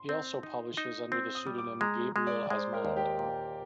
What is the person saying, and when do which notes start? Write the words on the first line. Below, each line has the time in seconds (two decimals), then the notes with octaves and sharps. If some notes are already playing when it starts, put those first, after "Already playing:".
He also publishes under the pseudonym Gabriel Osmonde.
Already playing: C6
0.09 C4
0.43 D#4
0.77 D#4
1.12 C4
1.35 D#6
1.47 G3
1.58 D6
1.81 G#3 A#5
2.16 G#3
2.27 D5
2.50 G#3 C5
2.73 A#4
2.85 D#2
2.96 G4
3.19 A#2